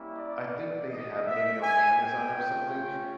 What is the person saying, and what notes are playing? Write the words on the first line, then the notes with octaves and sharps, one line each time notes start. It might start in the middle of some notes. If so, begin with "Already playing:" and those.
I think they ha maybe on Amazon or something,
Already playing: G3 A#3 C#4 E4
D5
D#5
E5
G#5
G5
A3 C#4 F4